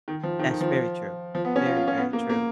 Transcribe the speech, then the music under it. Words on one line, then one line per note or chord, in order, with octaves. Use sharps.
That's very true. Very, very true.
D#3
F3
D#3
D#3
F3
F3
B3
C#4
F4
F4
C#4
B3
A#3
A#3